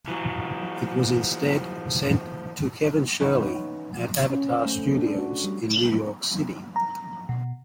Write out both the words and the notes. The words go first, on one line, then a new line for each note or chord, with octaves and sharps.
It was instead sent to Kevin Shirley at Avatar Studios in New York City.
E3 F#3
E3 B3 C#4 D#4
C#4
C5
A3
D4
F#4
G3
A#5
B2